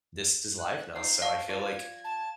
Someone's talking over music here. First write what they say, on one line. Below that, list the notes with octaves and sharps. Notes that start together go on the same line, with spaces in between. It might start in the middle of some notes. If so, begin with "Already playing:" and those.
"This is life now." So I feel like
F#6
F3 C4 D#4 C7
A4 C#5 F5
F3 D5 G#6
A5